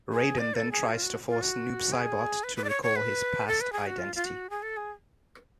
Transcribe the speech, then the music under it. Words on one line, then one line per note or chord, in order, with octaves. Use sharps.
Raiden then tries to force Noob Saibot to recall his past identity.
G#4
D5
A4
G#4
F4
F#4
F4
F#4
G#4
B4
B4
D5
C#5
C#5
B4
A4
B4
G#4
F#4
F4
F4
F#4
G#4
A4
G#4